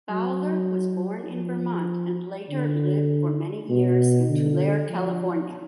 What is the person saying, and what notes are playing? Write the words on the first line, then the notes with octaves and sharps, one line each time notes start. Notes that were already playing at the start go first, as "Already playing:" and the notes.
Fowler was born in Vermont and later lived for many years in Tulare, California.
F#3
F3
D3
B2
D3
F3